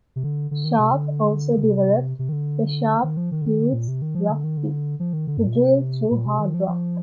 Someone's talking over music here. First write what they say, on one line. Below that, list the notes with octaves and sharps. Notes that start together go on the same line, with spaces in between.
Sharp also developed the "Sharp-Hughes Rock Bit" to drill through hard rock.
C3
D3
D3
D#3
C3
D3
D3
C3
C3
D#3
D3
D#3
F3
D#3
D3
D#3
D3
A#2
C3
D#3
F3
D3
D#3
D3
F3
D#3
D3
G2
A#2
C3
A#2
C3
D#3
F3
F3